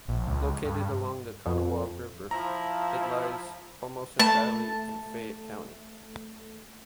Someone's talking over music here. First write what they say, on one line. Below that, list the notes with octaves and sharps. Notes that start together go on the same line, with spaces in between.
Located along the Kanawha River, it lies almost entirely in Fayette County.
A#1
C#2
G2
F2
F3 E4 A#5
A3 A5